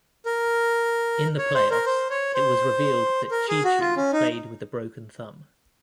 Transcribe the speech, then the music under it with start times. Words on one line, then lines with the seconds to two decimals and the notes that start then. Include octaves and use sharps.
In the playoffs, it was revealed that Cheechoo played with a broken thumb.
0.26 A#4
1.38 C#5
1.54 C5
1.71 A#4
1.86 C5
2.10 C#5
2.35 C5
3.31 A#4
3.48 G#4
3.64 F#4
3.80 F4
3.97 C#4
4.13 D#4